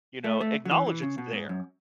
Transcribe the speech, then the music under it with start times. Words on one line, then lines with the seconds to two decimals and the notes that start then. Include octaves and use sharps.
You know, acknowledge it's there.
0.24 A3
0.41 A3
0.65 F#3
0.71 E3
0.86 E3
1.02 C#3
1.18 B2
1.33 G#2
1.49 F#2